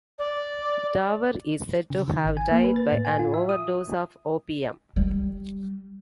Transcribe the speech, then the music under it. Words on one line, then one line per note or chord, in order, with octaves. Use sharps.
Davar is said to have died by an overdose of opium.
D5
C#3
D#3
G#1
G#5
A#3
B4
A6
A2
G#5
F4
E5
D#6
G3